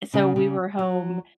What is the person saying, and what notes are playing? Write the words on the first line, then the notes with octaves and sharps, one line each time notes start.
so we were home
C#3
C#3
F#3